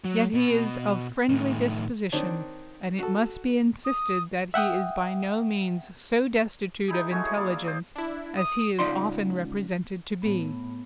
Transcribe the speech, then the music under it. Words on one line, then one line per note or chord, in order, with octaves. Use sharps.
Yet he is of friendly disposition, and it must be insisted that he is by no means so destitute of intelligence as he is often represented to be.
F#3
B2
A2 D#3
D#3 C4 D4 C#5
F#4 A4
D#6
E5 F#5 G5 D#6
D#4 E4 G#4
G#3 A3 F#4 G#5
G#4 C#5
A#3 E4 D5
F5 E6
C5 D5 D#5
D4 E4
D#6
C#2 D#4 F4 D5 C6
A2 B3